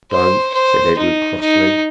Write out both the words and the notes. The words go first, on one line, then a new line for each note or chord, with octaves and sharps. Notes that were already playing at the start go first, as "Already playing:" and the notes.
"Don't!" said Edred crossly.
C5
C5
D#4
D#4